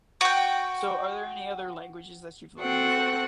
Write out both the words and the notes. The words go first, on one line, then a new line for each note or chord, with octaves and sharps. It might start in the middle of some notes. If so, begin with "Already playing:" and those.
so are there any other languages that you've learned before?
F#4 G5
C4 F#4 A4 F#5 G5